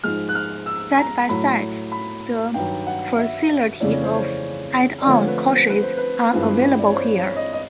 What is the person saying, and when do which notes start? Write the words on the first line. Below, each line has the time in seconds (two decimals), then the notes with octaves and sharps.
Side by side the facility of add-on courses are available here.
0.04 G#2 F3 G#3 F6
0.29 F#6
0.35 F6
0.66 E6
0.98 A#5
1.28 A2 F#3 A3 B5
1.92 B5
2.54 G2 D#3 F#3 G5
2.87 F#5
3.18 E5
3.80 F2 C#3 E3 A3 C#4 D5
3.91 C#5
4.03 C5
4.14 C#5
5.01 D5
5.06 D3 F3 A3 C4 F4 C#5
5.27 B4
5.48 C5
5.69 B4
5.83 C5
5.97 B4
6.31 G2 E3 G#3 C4 F4
6.78 D5
6.86 C#5
6.95 C5
7.07 C5
7.15 C#5
7.36 D#5
7.53 D#5